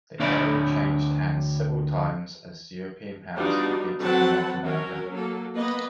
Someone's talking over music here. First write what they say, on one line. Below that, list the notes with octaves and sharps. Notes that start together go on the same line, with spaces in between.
The area changed hands several times as European powers competed in North America.
D2 D4 C#5 D5 E5 B5
G3 B3 D4 D#4 F4 F#4
F#3 C4 A4 B4 F#5 A5
F#3 C#4 A#4
F#3 A#3 A4
A#3 B3 B4 D#5